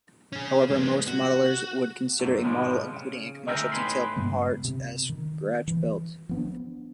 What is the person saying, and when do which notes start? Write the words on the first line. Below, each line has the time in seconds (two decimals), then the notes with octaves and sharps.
However most modellers would consider a model including commercial detail parts as scratchbuilt.
0.32 C#4 G#4
0.70 G#3 B3
1.07 F#4
2.20 C2 F#2 A2 D3 F#3 A3
2.44 G#2 B2 D#3 F3 G3 G#3
2.94 C#3
3.47 D2 G#3 A#4 E5 G5 A#5
3.72 A2 D#4 B4 G#5 B5 C6
4.16 G2 C#3 G#3 B3
4.65 C3
5.09 D#3
5.67 E3
6.29 F3 B3 D4